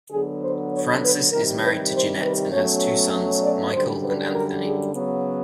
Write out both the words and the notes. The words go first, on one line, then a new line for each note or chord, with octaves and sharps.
Francis is married to Ginette and has two sons, Michael and Anthony.
D3 F#3 B3 G#4
C5
C#5
B4
C3 D#3 G3 A#4
B4
C5
B4
B2 F#3 A3 C#4 C#5
D5
F#2 D3 G3 C5
B4
A#4
G#4
C#3 F#3 B3